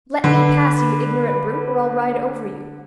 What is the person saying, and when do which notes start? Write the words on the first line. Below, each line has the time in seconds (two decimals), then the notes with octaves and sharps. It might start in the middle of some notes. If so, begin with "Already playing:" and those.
"Let me pass, you ignorant brute, or I'll ride over you."
0.24 D3 B4